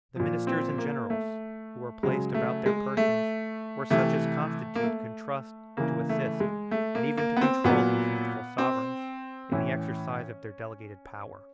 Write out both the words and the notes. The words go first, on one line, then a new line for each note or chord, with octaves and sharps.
The ministers and generals, who were placed about their persons, were such as Constantine could trust to assist, and even to control, these youthful sovereigns in the exercise of their delegated power.
A#2 F3
C4
A#3
A3
C#3 F#3 G#3
A3
G#3
A3
C3 E3 A3
A#3
A3
C#3 E3 A#3
A3
G#3
A3
A#3
A#3
B3
C4
A#2 F#3 B3
C4
A2 E3 C#4